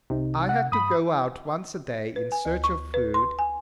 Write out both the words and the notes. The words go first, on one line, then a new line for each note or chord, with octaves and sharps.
I had to go out once a day in search of food.
C2 C3 D#4
F#5
G2 B5 D#6
B4
G#5
D2
C#6
B4
C6
G#5